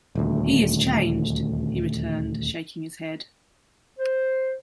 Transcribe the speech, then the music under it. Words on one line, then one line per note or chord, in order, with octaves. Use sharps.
"He is changed," he returned, shaking his head.
D#1 D2
C5